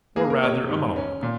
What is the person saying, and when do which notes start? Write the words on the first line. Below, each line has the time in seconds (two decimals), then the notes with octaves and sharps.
Or, rather, a monologue.
0.16 A#3 G#4
0.30 A#4
0.43 C3 C#5
0.69 G#2
0.96 C#4
1.23 A#2